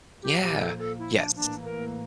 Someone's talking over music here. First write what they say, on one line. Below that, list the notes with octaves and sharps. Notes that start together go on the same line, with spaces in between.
Yeah. Yes.
A#2 F3 A#3 G4
G4
A4
A4
E4
D4
A2 E3 A#3 D4
A#4